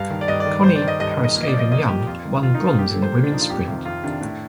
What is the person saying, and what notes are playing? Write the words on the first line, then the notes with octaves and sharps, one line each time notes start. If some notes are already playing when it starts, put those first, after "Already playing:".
Connie Paraskevin-Young won bronze in the women's sprint.
Already playing: G2 F5
D#3
D5
G2 D#5
D5
D#3
G2 C5
D5
D#3
D#5
G2 D#5
D#5
D#3
D#5
A#2
D#5
D5
F3
D#5
A#2 D#5
F3 G4
F2 F4
D#3
F2 F4
D#4
D#3
F4
A#2 G4
A4
F3
C5
A#2
D4
F3 D#4
F4
F2 G4
C3 D#3 F4
F2 F4
C3 D#3 D4
A2